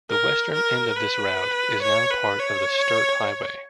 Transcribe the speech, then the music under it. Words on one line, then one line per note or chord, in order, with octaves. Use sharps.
The western end of this route is now part of the Sturt Highway.
A#4
A#4
B4
C#5
B4
C#5